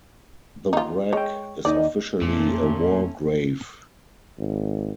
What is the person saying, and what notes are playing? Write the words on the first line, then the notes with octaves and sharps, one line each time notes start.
The wreck is officially a war grave.
D#4 F4
G#3 C#5 G5
D#2 D#4 D5 D#5
F2 A#2 A3 C#4
G#1